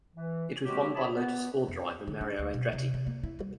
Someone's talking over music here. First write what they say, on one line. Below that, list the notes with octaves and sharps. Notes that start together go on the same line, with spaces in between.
It was won by Lotus-Ford driver Mario Andretti.
E3
F#3 G#3 A#3 C4 F#4 G4
E4 G4 G#4 C#5 A5 B5
B3
F2
D3
D4
D2
B2
C3
C3
A#3
E4
G3